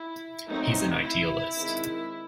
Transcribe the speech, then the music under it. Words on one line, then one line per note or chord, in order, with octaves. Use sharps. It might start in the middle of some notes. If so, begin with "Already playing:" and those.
He's an idealist.
Already playing: E4
F#3 A3 C4 D#4
E4
D#3 G#3 C4